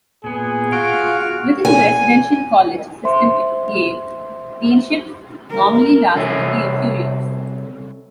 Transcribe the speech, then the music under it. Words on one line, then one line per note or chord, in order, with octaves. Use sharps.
Within the Residential College system at Yale, deanships normally last only a few years.
A#2 B3 G#4
F4 F#4 F6 D7
G#5
C5 E5 C6
A#4
C2 C3 A4 C#5 G#5